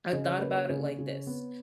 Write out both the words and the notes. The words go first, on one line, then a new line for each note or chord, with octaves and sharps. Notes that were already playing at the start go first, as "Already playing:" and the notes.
I thought about it like this
C#3 D#5
C#5
A#3 B4
C#5
C#3
C#3
B3